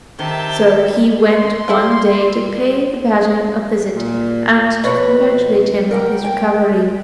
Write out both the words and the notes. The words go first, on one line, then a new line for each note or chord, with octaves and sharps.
So he went one day to pay the badger a visit and to congratulate him on his recovery.
C3 D#3 E5 A5 G7
C6
A3 E4 F4
A#2
F2 B2 B4 C#5
A#4 F#5 G5
G5